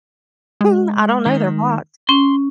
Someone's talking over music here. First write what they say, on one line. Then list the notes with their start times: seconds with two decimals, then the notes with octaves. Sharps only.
Hmm, I don't know, they're blocked.
0.61 G#3
1.26 D#3
2.09 C#4 C6